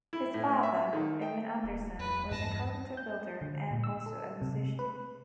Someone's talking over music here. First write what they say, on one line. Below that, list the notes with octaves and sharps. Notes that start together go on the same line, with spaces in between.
His father, Irving Anderson, was a carpenter-builder and also a musician.
E4
A2
E5
D#3
G5
D#1
E2 B4
G2 G3 B3 A5 A#6
G6
D3
A#2
E6
A4
C3
B4